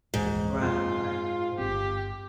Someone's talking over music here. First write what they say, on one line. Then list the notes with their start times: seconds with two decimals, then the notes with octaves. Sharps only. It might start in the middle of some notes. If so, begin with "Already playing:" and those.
Right, right.
0.14 D1 A#1 E2 G#2
0.60 F#2 C4 C#4 F4
1.58 G1 G#2 C4 G4